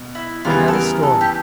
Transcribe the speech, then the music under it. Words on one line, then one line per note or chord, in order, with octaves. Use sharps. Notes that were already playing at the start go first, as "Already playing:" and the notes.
He had his story.
Already playing: B2
E4
E2 C#3 E3 G3 B3 F4
A4
A#4
A4
G4